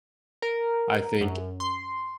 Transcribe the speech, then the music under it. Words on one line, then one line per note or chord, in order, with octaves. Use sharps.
I think,
A#4
F#2
C6